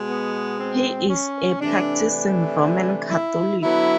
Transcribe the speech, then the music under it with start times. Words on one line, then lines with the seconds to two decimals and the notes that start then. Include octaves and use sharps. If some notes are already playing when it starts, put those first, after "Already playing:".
He is a practicing Roman Catholic.
Already playing: B2 G#3
0.09 B3
0.59 C4
1.09 C#4
1.59 C3 E3 A3 D4
2.10 D4
3.10 E4
3.61 D3 F#3 B3 E4